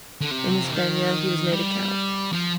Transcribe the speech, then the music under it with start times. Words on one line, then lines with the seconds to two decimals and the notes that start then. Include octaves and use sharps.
In Hispania he was made a count.
0.21 D3
0.31 C3
0.65 F3
0.71 D#3
1.52 G3
2.32 F3